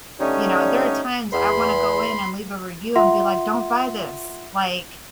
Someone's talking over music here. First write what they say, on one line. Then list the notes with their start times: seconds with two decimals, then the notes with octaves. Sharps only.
you know, there are times I wanna go in and leave a review and be like, "Don't buy this." like,
0.20 D3 G3 A3 C#4 D#4 C#5
1.32 E2 B5 C6
2.96 F4 E5 F#5 C6